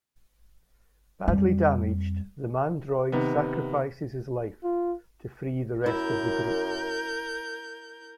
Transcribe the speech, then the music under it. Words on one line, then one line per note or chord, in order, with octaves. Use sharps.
Badly damaged, the Mandroid sacrifices his life to free the rest of the group.
F2 G3
C3 D#3 B3
F4
F#2 E4 A#4 G6